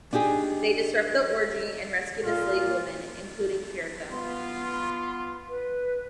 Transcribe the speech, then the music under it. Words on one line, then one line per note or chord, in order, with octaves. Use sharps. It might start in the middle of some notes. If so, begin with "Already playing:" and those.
They disrupt the orgy and rescue the slave women, including Phrygia.
D4 D#4 G4 G#4
A#2 F4
B3 F4 C6
B4